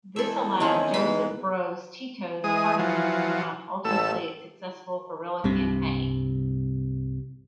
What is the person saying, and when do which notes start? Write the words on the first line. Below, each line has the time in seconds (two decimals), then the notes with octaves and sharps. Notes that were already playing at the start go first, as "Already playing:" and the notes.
This allowed Josip Broz Tito's Partisans to mount ultimately successful guerrilla campaign.
0.16 E2 G#3 A4 E5
0.60 D#3 G#3 C4 C#4 E4 G#4
0.94 G#2 E3 G#3 B3 B4 C5 B5
2.44 E3 G#3 D#6
2.79 F3 F#3
3.85 A1 A3 E6
5.44 C2 G2 C3